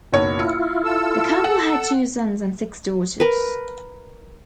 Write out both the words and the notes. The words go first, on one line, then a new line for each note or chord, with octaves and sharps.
The couple had two sons and six daughters.
F#1 B1 C#5
E4 F4 C#7
A4 E6
F#5
A#4 B4